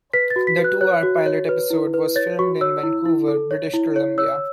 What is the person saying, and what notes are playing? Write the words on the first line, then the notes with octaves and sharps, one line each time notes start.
The two-hour pilot episode was filmed in Vancouver, British Columbia.
B4 B6
A6
F#4
B6
B4
F#6
C#5 F#6
F#4
C#5
B4
E4
B4
C#5 A6
F#4 C#6
C#5 E6
E4
E4
A4
C#5
E4
C#5
C#5 E6